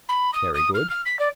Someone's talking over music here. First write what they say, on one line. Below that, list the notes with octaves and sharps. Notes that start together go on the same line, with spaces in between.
Very good.
B5
D#6
D#6
F6
F6
B6
D5